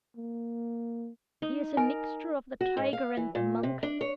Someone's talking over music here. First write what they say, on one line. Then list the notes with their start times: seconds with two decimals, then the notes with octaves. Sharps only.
He is a mixture of the tiger and the monkey.
0.16 A#3
1.42 D#4
1.77 A#4 G#5
2.61 F#4
2.77 G#2
2.93 F5
3.17 E3
3.35 A#2
3.63 C3
3.83 D4
4.01 C#5